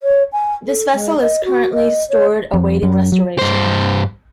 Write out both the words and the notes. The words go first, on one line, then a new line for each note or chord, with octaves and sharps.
This vessel is currently stored awaiting restoration.
C#5
G#5
A4
G#3
D#5
F#4
D#5
C#5
F2
F#2
F#3
G2 C5